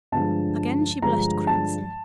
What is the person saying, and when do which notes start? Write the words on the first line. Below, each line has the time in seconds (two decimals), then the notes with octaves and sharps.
Again she blushed crimson.
0.12 G2 D3 F3 G#3 A5
1.02 G2 D3 F3 G#3 A#5
1.47 A5